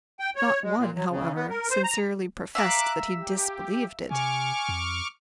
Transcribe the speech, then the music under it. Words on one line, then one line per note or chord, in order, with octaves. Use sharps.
Not one, however, sincerely professed that he disbelieved it.
G5
C#5
G#3
A#2
F#3
C#3
B3
A#4
C5
A#5
E5 F5 A#5 D6 F#6
G4
C3 G#5 C#6 D6 F6
F2